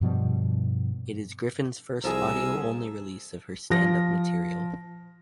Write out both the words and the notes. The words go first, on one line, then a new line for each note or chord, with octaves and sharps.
It is Griffin's first audio-only release of her stand-up material.
G2 B2 F3 G3
C2 F3 G#4 G#5 A#5 E6
F3 A#6